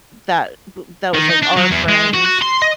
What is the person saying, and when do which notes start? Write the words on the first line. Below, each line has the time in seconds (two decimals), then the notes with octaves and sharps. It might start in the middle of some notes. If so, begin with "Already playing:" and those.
that b that was, like, our friends.
1.14 D#3
1.29 D#4
1.42 D4
1.57 F#3
1.71 E2
1.89 G#3
2.14 F#4
2.26 F#4
2.42 C6
2.62 D#5